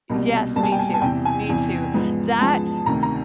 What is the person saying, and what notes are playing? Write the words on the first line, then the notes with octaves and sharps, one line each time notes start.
yes, me too, me too. That
C2 B2 G3 A#3
C2 B2 G3 A#3 A5
G#5
G5
G#5
G#5
E2 C3 E3 G5
G#5
E2 C3 E3
G#2 F3 G#3 B3
G#2 F3 G#3 B3 A5
D2 C3 D#3 A#5
A#5